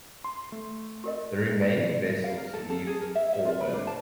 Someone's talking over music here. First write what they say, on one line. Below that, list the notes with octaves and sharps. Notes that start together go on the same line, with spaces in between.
The remaining vessels leave for Earth.
C6
A3
G4 A#4 D#5
F5
A#4
A4
A4
G#4
A#4
E5
E5
F4
B5
D4
A5